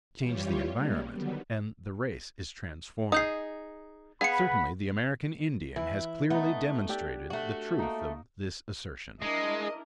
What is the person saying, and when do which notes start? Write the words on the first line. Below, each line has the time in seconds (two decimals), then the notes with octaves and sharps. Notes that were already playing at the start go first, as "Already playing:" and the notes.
Change the environment, and the race is transformed. Certainly the American Indian has clearly demonstrated the truth of this assertion.
0.19 E3 G3 F4 G4 C#5
0.74 G3 G#3 A#3 C#4
1.10 D3 D#3 F#3 G3 B3
3.12 D#4 G#4 D#6 G6 C7
4.21 B3 G#4 F5 F#5 B5 C#7
5.76 E3 E4
6.30 A3 B3 D#4
6.89 D4 G4 E5
7.30 A3 F#4
7.79 A#3 D#4
9.22 G#3 D4 E4 A#4 D#5